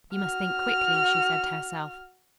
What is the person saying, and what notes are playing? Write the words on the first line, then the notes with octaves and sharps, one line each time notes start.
"You must think quickly," she said to herself.
F#4 F6